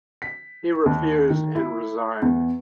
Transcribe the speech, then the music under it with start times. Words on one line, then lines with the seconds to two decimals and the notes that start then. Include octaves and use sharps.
He refused, and resigned.
0.22 B6
0.86 D#2
1.30 D#3
1.55 E4
2.22 E2